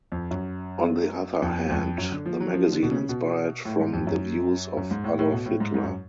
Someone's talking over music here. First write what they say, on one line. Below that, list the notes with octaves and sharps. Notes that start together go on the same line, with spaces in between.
On the other hand, the magazine inspired from the views of Adolf Hitler.
F2
F#2
F2
F2
F#2
D3
F3
F#3
F3
D3
B2
C#3
B2
A2
G#2
F2
F#2
F#2
G#2
A2
A2
B2
A2
G#2
G#2
F#2